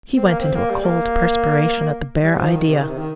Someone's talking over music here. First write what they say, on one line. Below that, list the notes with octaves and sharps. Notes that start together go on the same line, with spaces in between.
He went into a cold perspiration at the bare idea.
C4
A#3
C4
A#3
G3
A#3
G3
F3
D#3
C3
D#3
C3
D#3